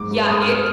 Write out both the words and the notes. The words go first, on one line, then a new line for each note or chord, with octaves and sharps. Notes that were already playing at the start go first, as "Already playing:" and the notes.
Yeah, it
Already playing: G#2 D6
G#2
G#2 D#6
F6
F6